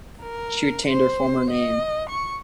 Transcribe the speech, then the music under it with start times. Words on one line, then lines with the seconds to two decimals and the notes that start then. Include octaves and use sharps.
She retained her former name.
0.22 A#4
0.87 C5
1.50 D#5
2.09 C#6